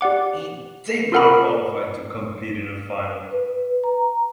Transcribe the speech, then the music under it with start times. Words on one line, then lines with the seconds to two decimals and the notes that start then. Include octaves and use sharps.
He did not qualify to compete in the final.
0.01 G4 D5 F#5 D6
1.12 F4 A4 A#4 F#5 A#5 B5
3.31 B4
3.84 A#5